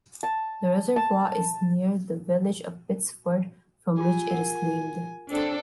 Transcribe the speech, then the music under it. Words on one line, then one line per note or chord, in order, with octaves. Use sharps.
The reservoir is near the village of Pitsford, from which it is named.
A5
A5
F4 G4 G#4 G#5
A#4 F#5
C4 D4 A4